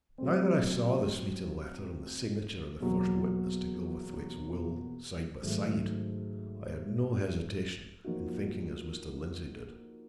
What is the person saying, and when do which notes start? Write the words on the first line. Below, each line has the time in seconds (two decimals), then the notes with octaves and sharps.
Now that I saw the Smeaton letter and the signature of the first witness to Gilverthwaite's will, side by side, I had no hesitation in thinking as Mr. Lindsey did.
0.18 F#3 A3 C4
2.80 E2 B2 F#3 A#3
5.43 G#2 D#3 F#3 A3
8.04 F3 A#3 D#4 F#4